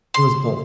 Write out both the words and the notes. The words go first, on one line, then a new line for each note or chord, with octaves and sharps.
It was both.
C6